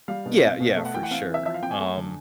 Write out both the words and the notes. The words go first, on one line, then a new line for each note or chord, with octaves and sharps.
Yeah, yeah, for sure, um,
G3 F5
B2
C4
B2
A3
F#5
E3 G5
F#5
C4 F5
E3
E5
F3 E5
F5
C4 G5
G#5
A3
D3